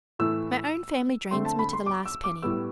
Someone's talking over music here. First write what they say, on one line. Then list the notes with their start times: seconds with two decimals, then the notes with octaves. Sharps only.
My own family drains me to the last penny.
0.19 A2 E3 A3 E6
1.31 D3 A3 C4 C6
1.45 A5
1.59 B5
1.73 C6
1.86 D6
2.06 E6
2.24 D6
2.43 A2 G3 B3 E6